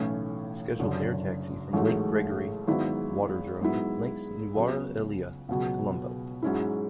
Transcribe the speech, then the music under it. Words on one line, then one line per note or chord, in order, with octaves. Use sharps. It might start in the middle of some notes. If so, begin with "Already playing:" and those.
Scheduled air taxi from Lake Gregory Waterdrome links Nuwara Eliya to Colombo.
Already playing: B1 A2 E3 A3 C#4
F#1 F#2 D3
A1 G#2 F#3 A3
G#1 G#2 F#3 B3 E4
G#2 F#3 B3 E4
C#2 C#3 F#3 B3
C#2 B2 F#3
G#2 F#3 C#4 E4